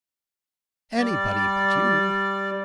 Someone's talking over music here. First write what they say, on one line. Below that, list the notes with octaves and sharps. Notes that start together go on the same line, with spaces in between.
Anybody but you.
G3 D5